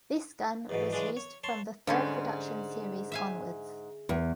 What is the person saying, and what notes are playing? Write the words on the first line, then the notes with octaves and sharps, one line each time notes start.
This gun was used from the third production series onwards.
E2 G#2 B2
C#3 E3 G#3 D4
C#5
C#5 A5 C6
G#2 D3 G3 C#4
E5 F5 G#5
E2